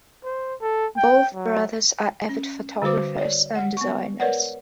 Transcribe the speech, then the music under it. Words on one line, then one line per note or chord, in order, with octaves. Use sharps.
Both brothers are avid photographers and designers.
C5
A4
G5
F#3
C#4
D3 G3 F#4 B4 C5 D6
C#5 D5
G#3 F#5
B3 C#6
A#4 B4 C#5 D5 F#5